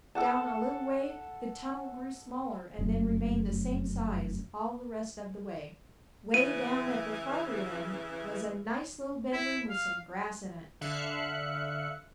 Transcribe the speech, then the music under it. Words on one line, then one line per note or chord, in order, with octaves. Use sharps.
Down a little way the tunnel grew smaller and then remained the same size all the rest of the way. Way down at the farther end was a nice little bedroom with some grass in it.
A4 F#5 A5
F1 F#2 A3
C#3 E3 D#7
E4
F5
D3 E5 F5 F#6 C#7